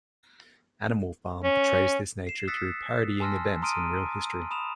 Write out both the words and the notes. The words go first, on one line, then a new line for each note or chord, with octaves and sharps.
"Animal Farm" portrays this nature through parodying events in real history.
C#4
C7 E7
D#6 E6 F#6 A6 B6 C#7
G#5 A5 C6 E6 F6 A#6
A#5 C6 D#6 F6 D7 D#7
B5 D#6 E7 F7